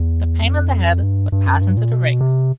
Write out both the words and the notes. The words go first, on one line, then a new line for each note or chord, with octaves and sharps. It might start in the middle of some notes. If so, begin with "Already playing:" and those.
The pain in the head would pass into the rings.
Already playing: E2
F2
G2
G2
F#2
G2
A#2
B2
C3